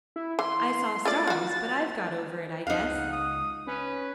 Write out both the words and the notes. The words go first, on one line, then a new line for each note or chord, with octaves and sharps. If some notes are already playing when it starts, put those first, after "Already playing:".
I saw stars, but I've got over it, I guess.
E4
E3 C6
A3 F4 D5 A6
F4 F#4
F2 D#4 F5 F#5
C#2
D#6
C#4 B4